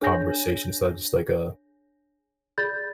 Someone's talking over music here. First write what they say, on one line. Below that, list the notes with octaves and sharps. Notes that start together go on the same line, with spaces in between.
conversation, so a just like a
D4 G#4 C#5 G#5 G6 A#6
G#4 D5 B5 G6 A6